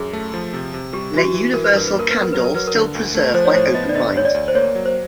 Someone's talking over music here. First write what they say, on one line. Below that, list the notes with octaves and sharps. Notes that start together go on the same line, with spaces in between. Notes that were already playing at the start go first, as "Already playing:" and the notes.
Let universal candor still preserve my open mind.
Already playing: F#2 G#4
A3
F3
C3
C3
G3 G4
E3 F#4
G4
E3
E3 A#4
B4
G2 A#4
B4
A#3
A#4
B3 B4
A#4
F#3 B4
A#4
F#3 B4
A#4
D3
D2
A3
F3 C5
C#5
A2 C5
B3 D#5
D5
D3 D#5
D2 C#5
D5
D2
C5
A#3 C#5
F#3
C5